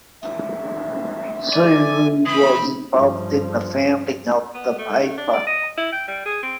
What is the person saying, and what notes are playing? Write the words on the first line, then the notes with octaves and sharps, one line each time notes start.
Xu Wu was involved in the founding of the paper.
E5
D5 G#5
E3 C4 B5 D#6
G2 F3
B3
A3
A3
D4
D5
D#5
E4
G5
G3
G#4
C4